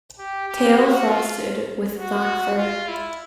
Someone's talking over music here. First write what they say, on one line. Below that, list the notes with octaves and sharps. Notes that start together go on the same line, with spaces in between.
Tail frosted with black fur.
G4
G4
F#4
F4
F#4
F4
E4